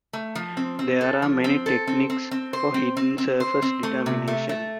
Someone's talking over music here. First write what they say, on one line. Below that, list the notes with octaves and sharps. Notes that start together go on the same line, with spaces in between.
There are many techniques for hidden surface determination.
A3
F3
C4
C4
A4
F3
C4
A4
C4
C4
C4
C5
C4
C4
C4
C5
C4
A3
C3
A3
A3